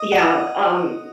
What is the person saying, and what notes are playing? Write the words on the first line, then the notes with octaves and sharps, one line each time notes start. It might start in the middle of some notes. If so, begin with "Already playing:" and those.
yeah, um,
Already playing: D#5
F#5